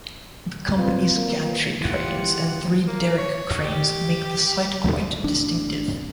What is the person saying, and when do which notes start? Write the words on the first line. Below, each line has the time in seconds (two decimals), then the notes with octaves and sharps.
The company's gantry cranes and three Derrick cranes make the site quite distinctive.
0.78 C4 F4 B4
1.16 A#3
1.81 E3 F4 G4 F#5
2.87 A#3
3.18 C#5
3.64 G4
5.24 A1 D4